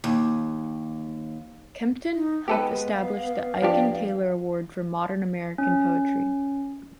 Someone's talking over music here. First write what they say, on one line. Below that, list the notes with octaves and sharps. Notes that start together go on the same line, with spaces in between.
Kempton helped establish the Aiken Taylor Award for Modern American Poetry.
D#2
D#4
G#3 B3 G4 A4 B4
F5
F3 D4 G4
C#4